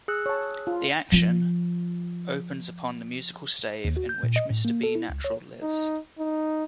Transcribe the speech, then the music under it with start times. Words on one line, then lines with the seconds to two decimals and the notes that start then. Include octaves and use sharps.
The action opens upon the musical stave in which Mr. B Natural lives.
0.08 G#4 E6 F#6
0.26 C#5 A5
0.67 F4
1.12 F3 F4
3.85 D#2
3.97 F#4
4.09 G6
4.23 A#2
4.36 D#5
4.50 A2
4.65 A#3
4.83 A4
4.95 E4
5.10 C#2
5.24 C#5
5.62 D#4
6.19 D#4